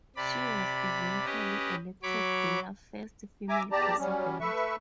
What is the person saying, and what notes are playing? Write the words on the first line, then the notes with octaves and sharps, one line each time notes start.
She was eventually elected their first female president.
C3 D5 B5
C#4 G4 B4 D#5
F#3 C#5 B5 D6
E5 G#5 A#5 D6
E2 G4 D5 A5 A#5
F#3 G3 C#4
A3 B4 E5 C#6